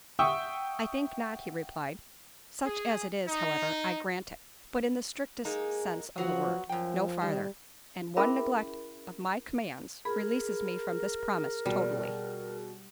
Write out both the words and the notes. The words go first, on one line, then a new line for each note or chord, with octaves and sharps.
"I think not," he replied: "such as it is, however, I grant it: but in the strictest sense of the word--no farther--and one neglect of my commands, releases me from this promise totally."
E5 F#5 G5 C#6 D#6 E6
G#4
D#4
G#3 A#3 D#4 G#4
F3 F#3 B3 F#4
F#2 F3 G5
D#3 G3
C#4 E4 G#4 A#4 E5 B5
G#4 A#4 B5
B2 G3